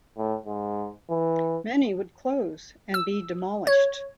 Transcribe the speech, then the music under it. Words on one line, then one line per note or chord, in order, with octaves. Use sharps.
Many would close and be demolished.
A2
G#2
E3
E6
C#5